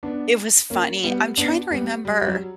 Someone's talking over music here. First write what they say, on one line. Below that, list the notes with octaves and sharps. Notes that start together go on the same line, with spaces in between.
It was funny. I'm trying to remember
B3 D4
A#3 C#4
G3 B3
B3 D4
G3 B3
G3
G3
F#3